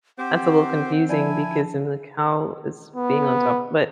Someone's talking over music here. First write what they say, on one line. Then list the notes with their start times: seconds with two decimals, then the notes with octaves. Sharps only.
that's a little confusing because then the cow is being on top, but
0.19 C4 G4 C5 F#5
1.09 F3 E4 D5 G#5 A5
2.96 B3